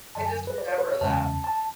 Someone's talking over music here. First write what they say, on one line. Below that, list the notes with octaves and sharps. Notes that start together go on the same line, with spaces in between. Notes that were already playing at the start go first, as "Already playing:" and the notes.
I just remember that.
F#2 D3 F#3 A5
G#5
B4
D5
C#5
B4
C#5
E2 C#3 G#3 C#4 A5
A5